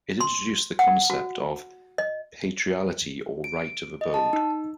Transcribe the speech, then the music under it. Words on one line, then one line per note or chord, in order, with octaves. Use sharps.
It introduced the concept of "patriality or right of abode".
C6
F#5
F#4
D#5
D7
D#5
A5
D#4